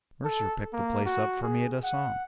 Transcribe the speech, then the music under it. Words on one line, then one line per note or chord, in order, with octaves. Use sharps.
Mercer picked the place up for me at a song.
A4
A#3
F#4
G#4
F#5